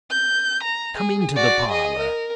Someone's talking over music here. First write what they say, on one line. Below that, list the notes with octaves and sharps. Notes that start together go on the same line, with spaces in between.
Come into the parlour.
G6
A#5
G#4
F#4 D5
G#4 D#5
A#4